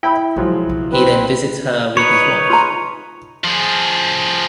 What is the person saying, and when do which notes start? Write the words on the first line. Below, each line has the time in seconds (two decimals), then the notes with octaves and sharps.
He then visits her with his wife.
0.03 E4 G5 B5
0.36 B1 F3 F#3 G#3
0.69 B1
0.92 C4 B4
1.97 D#4 B4 C#5 C#7
2.50 F4 A#5
3.44 F3 G#4